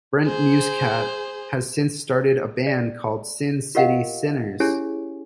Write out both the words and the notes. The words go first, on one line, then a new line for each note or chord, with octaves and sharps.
Brent Muscat has since started a band called Sin City Sinners.
G#4 C5
D5
F4 G4 A#4 D#5 F5 F#5
C#4 E4 G4 G#4 C#5 G#5